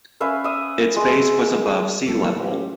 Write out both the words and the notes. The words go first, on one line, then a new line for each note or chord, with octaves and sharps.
Its base was above sea level.
C#4 B4 E5 F5
E5 D#6
G#3
F#1 G3 A3 A#3 A4
A2 F#3
G4
C#4 F4 F#4